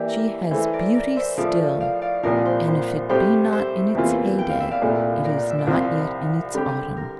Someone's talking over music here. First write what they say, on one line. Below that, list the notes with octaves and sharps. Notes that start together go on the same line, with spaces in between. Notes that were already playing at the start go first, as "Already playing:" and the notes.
She has beauty still, and if it be not in its heyday, it is not yet in its autumn.
Already playing: E3 A#3 E4 G4 D5
A#4
E3 A3 E4 C5
A#4 D5
A#4 D5
C5 E5
A2 F3 A3 D5 F5
D5 F5
D5 F5
C2 A#2 F3 A#4 D5
C5
C5
A2 G3 C4 G4 C5
C5 E5
E2 C3 E3 A#3 F4
G5
F5
E5
D5 F5
C2 A#2 A3
A#4 D5
F5
E5
D5
C2 C3 F3 C4 F4 C5
D3 G3 C4 G4
A#4